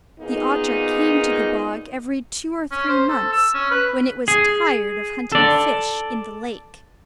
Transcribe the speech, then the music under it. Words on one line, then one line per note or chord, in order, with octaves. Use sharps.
The otter came to the bog every two or three months, when it was tired of hunting fish in the lake.
A#2 A#3 B3 D#4 G#4
C#4
C5
A4
E6
C#4
B4
G#4
A4 D5